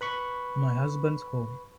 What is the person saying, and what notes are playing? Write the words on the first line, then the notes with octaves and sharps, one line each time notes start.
My husband's home!
B4 B5 C#6